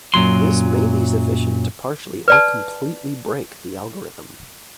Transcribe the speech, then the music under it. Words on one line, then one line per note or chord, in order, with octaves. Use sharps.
This may be sufficient to partially or completely break the algorithm.
F#2 A#2 F#3 C6
B4 D5 A5